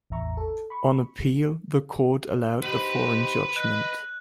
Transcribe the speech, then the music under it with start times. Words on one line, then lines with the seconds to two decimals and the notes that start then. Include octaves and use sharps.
On Appeal the Court allowed the foreign judgment.
0.10 A1 E2 E5 A#5 C#6
0.37 A4
0.70 B5 C#6
2.63 D#4 G4 B4 C5 B5
3.56 D#5 F#6